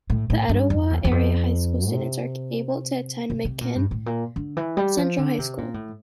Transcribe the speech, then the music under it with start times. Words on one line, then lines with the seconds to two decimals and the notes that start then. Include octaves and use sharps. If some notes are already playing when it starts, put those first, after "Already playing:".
The Etowah area high school students are able to attend McMinn Central High School.
0.10 A2
0.30 A2
0.49 G2
0.70 F2
0.90 E2
1.05 E2
1.11 F2
1.92 C3
3.30 C3
3.45 C3
3.61 A#2
3.75 G2
3.91 A2
4.06 A#2
4.36 D3
4.57 E3
4.77 G3
4.97 F3
5.18 D3
5.38 C3
5.58 A#2
5.74 A2